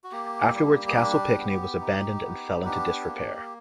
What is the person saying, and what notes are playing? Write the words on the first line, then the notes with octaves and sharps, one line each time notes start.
Afterwards, Castle Pinckney was abandoned and fell into disrepair.
F#4
A#3 G4
G3
G#4
D4 G4
B3
D#4
B3
D4 G4
A#3